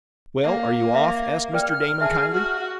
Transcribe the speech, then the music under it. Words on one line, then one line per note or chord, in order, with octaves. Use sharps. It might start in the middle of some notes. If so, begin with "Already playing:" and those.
"Well, are you off?" asked Mr. Damon, kindly.
A#3
E5 F5
A#4 D5 G5 F6
G#4 E5 G#5 A5
F#4